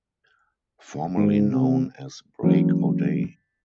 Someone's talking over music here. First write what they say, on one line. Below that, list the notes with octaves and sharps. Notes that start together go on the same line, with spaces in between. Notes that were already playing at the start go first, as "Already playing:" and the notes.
Formerly known as Break O'Day.
G#2
C3
E3 F#3 A#3 C#4